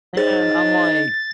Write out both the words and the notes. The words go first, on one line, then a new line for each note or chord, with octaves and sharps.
And I'm, like
D#4 G#4 C5 C#5 A6